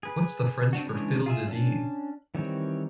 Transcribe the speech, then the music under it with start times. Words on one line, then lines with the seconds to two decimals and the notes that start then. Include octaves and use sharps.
What’s the French for fiddle-de-dee?
0.03 G#4 B4
0.73 C4 D4 F#4
0.87 C#3 E3 G#3 D4 C#5
1.26 F4 G#4 E5
1.48 C#4 D4 A5
2.35 D#3 E3 G3 C4 C#5